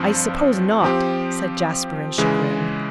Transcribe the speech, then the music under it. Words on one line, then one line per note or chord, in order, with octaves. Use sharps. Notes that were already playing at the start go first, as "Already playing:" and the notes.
"I suppose not," said Jasper in chagrin.
Already playing: G2 F3 C4
F3 C4 G4
C#3 E3 G#3